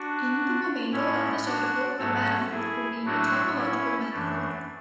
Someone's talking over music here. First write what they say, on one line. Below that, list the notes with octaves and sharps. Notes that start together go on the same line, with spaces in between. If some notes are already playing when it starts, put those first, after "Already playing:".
In the remainder of this article a "manifold" will mean a topological manifold.
Already playing: D4 F#4
A2 G#3 C#4 E4
D4 F#4
G#2 F#3 A3 F#4 A4
E4 G#4
A2 F#3 A3 D4 F#4
C#4 E4
F#2 E3 A3 D4